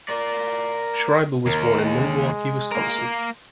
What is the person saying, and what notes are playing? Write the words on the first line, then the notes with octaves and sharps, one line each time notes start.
Schreiber was born in Milwaukee, Wisconsin.
A#4 D5
D#2 A#4
G#3
A#3 A#4